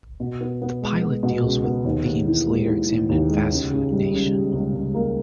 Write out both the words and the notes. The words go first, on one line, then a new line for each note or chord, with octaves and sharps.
The pilot deals with themes later examined in "Fast Food Nation".
B2
B3
B3
G#3
B3
B2
C#2
B3
D#2
D#2
E3
G#3
E3
E3
D#2
G#3
C#2
C#3
G3
C#3
G3
C#2
C#2
A#3